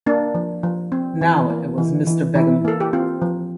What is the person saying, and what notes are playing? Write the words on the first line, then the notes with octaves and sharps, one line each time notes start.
Now it was "Mister Begum."
A#3 D4
F3
F3
C4
E3
A#3
E3
E3
E3 E4
A#3 A4
G4
C4 F4
F3